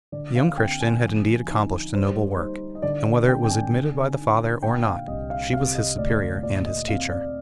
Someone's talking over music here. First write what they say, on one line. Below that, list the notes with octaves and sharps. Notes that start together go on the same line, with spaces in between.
The young Christian had indeed accomplished a noble work; and whether it was admitted by the father, or not, she was his superior and his teacher.
D3 D5
F5
C4 G5
G#5
F3
D#4
G3 C5
D#4 C5
D#5
D3 D5
C4 G5
G5
G#5
D3
D#4
A#2 G5
F5
C2 D#5
F5
C3 F5
D#5
D2 D5
A#2 D5
D#5
C4 F5
D5